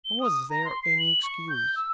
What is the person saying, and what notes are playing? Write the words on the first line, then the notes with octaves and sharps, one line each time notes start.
Was there any excuse?
G7
D#6
A#5
C6
C7
F#7
C#6
G6
E6